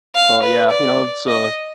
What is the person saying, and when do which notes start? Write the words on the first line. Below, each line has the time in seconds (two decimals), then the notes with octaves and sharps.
oh, yeah. You know, it's, uh
0.15 F5
0.43 B4
0.70 D5
1.28 D#5